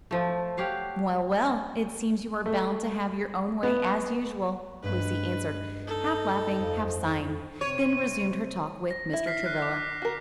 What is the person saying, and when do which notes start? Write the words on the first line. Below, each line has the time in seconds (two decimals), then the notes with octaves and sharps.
"Well, well, it seems you are bound to have your own way, as usual," Lucy answered, half laughing, half sighing, then resumed her talk with Mr. Travilla.
0.11 F3 A3
0.57 G4 C#5 F5 F#5
2.46 A3
3.63 B3
4.83 G2 G#3 B4
5.85 D#4 A4
6.59 F2
7.61 C3 C4 C#5 D#7
8.91 A#6
9.13 E4
9.26 F6 B6 C7
9.44 F6 F#6 C7
9.62 D6
10.02 F#4 A#4